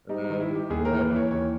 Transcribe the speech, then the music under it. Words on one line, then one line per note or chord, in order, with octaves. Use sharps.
Uh, yeah.
G3 D#4
D#4
D#3
E4
G3
G4
D#2 G#4
A#4
E3
B4
E3
C#5
D#2 C#5